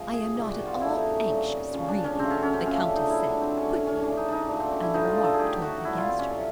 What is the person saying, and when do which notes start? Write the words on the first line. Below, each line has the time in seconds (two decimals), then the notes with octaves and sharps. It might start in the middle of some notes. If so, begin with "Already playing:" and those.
"I am not at all anxious, really," the Countess said, quickly, and the remark told against her.
Already playing: C3 F3 G#3
0.13 G#4
0.36 C3 D#3 G3 G4
0.52 F#4
0.67 F4
0.81 A2 E3 A3 E4
0.97 D#4
1.12 C#4
1.28 A#2 G3
1.73 C#3 F3 G#3 C#4
1.88 D4
2.04 C#4
2.19 C#3 F#3 A3 C4
2.30 C#4
2.42 C#4
2.53 C4
2.65 C#3 F3 A3 C#4
2.80 D4
2.96 D#4
3.10 D3 F#3 A3 E4
3.27 D4
3.41 C4
3.57 D3 G3 C#4
3.72 C#4
3.87 C#4
4.02 C#3 E3 G#3 D4
4.17 D#4
4.28 D4 D#4
4.48 A#2 F#3 A3 D4
4.60 C4
4.71 C#4
4.82 E4
4.94 D3 G3 D#4
5.09 F4
5.24 A4
5.34 G#4
5.39 A2 F#3 A3 G4
5.52 G4
5.62 F#4
5.85 B2 G3 E4
5.97 F4
6.08 C4
6.19 C#4
6.31 A2 F#3 A3